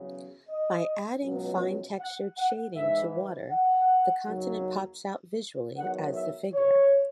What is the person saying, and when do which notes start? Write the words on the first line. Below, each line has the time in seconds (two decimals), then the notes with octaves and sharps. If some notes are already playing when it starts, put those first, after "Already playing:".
By adding fine-textured shading to water, the continent pops out visually as the figure.
Already playing: E2 C#3 F#3
0.49 D#5
1.24 C#2 B2 F#3
2.00 F#5
2.38 F#5
2.76 G#2 E3 E5
3.51 F#5
4.27 D#2 C#3 F#3
5.78 E2 D#3 F#3 F#5
6.15 E5
6.54 C#5